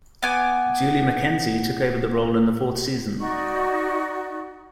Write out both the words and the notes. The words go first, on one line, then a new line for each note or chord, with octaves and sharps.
Julia McKenzie took over the role in the fourth season.
B3 G#5 D6
D#4 F#4 D5 C#6